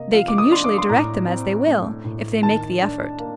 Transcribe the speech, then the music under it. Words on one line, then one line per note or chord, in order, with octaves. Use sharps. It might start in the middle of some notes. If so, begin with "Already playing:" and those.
"They can usually direct them as they will, if they make the effort."
Already playing: C3 A#3 D#5
F3 F5
D6
D#6
D4 C6
D6
C6
A2 A#5
C4
A3
A2
D#3 A5
D4
A#3